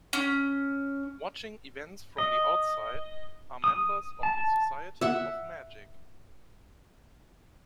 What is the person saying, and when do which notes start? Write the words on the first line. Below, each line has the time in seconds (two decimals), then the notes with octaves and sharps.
Watching events from the outside are members of the Society of Magic.
0.13 C#4
2.18 D#5
3.64 D#6
4.23 A5
5.01 E5 F#5